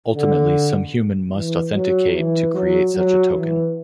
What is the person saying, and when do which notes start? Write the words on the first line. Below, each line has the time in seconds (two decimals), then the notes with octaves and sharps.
Ultimately, some human must authenticate to create such a token.
0.15 D3
1.35 E3
1.74 F#3
2.14 E3
2.54 F#3
2.94 F#3
3.34 E3